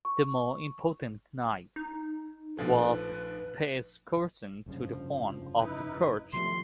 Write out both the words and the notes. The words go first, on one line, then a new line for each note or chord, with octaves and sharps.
The more important knights were placed closer to the front of the church.
C#6
D#4
A#1 F3 A3 B4
F1 G2 C#3 F3
D#4 E4 B4
C3 D#3 F3 A3 B3 C6